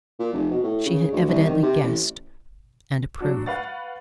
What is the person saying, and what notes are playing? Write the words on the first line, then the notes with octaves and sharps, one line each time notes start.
She had evidently guessed and approved.
A#2
F1
B2
A2
C#3
D2
C2
D#3
C3
A1
F#3 D4 F#4
B4 F5 F#5 C#6 A6